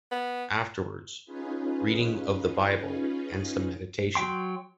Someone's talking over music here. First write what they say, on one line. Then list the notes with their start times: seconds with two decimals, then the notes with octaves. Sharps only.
Afterwards, reading of the Bible and some meditation.
0.11 B3
1.25 C#4 D#4 F4 G#4 B4
4.15 F#3 G5 C6